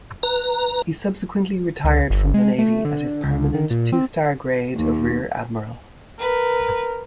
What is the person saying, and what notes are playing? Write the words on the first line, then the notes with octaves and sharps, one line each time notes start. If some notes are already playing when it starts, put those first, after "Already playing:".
He subsequently retired from the Navy at his permanent two-star grade of rear admiral.
B4 A#5
C#2
G1
G#3
A3
D3
C#2
D#3
A#2
C4
D#2
A#4 B4